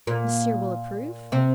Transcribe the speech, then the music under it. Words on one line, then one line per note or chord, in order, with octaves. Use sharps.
"Monsieur will approve?"
A#2 A#3
C3 C4